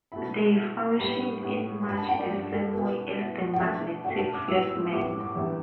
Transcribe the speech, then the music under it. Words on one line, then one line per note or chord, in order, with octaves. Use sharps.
They functioned in much the same way as the Magnetic Flagmen.
B2 A3 E4 B5
B2 A3 E4
A2 G3 B3 B5
A2 G3 B3
G2 G3 D4 B5
A5
G5
D5
G2 G3 D4
A4
B2 B3 E4 B4
B2 B3 E4
G5
B2 A3 D4 E5
B2 A3 D4 G5
A5
D6
A2 G3 B3 E4 E6
E6
A2 G3 B3 E4 D6
D6
D6
E2 D3 G3 B3 E4